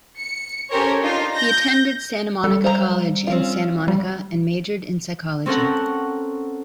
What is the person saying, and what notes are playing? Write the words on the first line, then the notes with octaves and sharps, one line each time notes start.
He attended Santa Monica College in Santa Monica and majored in Psychology.
C#7
C#4 G4 A4 A#4 C5 C#5
D4 D#4 F4
G6 A#6
G3 A4
C5 F5 A#5
C4 C#4 F4
G3
C4 C#4 A4 A#4 F#5